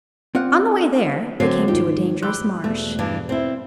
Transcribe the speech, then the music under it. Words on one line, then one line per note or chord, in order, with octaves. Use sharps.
On the way there they came to a dangerous marsh.
C4 F4 D5 F#5
D2 D3 F#3 C4 C#5 C7
G#2 D#3 F4 G4
G4 B5 C6 E6 F#6
E1 A3
G2 E3 D4
C4 E4